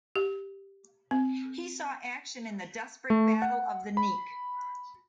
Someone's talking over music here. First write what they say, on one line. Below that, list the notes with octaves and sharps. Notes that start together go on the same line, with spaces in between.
He saw action in the desperate Battle of the Nek.
G4
C4
A3
F#5
B5